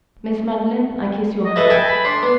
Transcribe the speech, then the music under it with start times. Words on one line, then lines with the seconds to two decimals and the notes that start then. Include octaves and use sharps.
Miss Madeline, I kiss your hand.'
1.45 D#5
1.56 A4 B4 D#5 E5
1.70 A4 G5 G#5
1.88 B5
2.05 D4 C6
2.23 B3